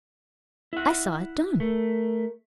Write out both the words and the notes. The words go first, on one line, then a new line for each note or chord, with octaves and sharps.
"I saw it done."
E4 F#5
A3 A#4